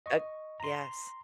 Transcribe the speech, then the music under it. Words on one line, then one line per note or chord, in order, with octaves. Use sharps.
Uh Yes.
D#5 C#6
A#5 C6